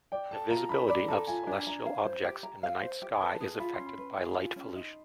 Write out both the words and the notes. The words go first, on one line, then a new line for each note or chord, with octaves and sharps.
The visibility of celestial objects in the night sky is affected by light pollution.
D5 G5
A4 A5
F4 A#5
D4 B5
D5 B5
A4 A#5
F4 G#5
D4 G#5
A#5
F5
C5
G4
A#5
F5
C5
G4
G#5
B4 A5
G#4
F4 B5
C6
C#4
B5
B4
G#4
F4
C#4
D#4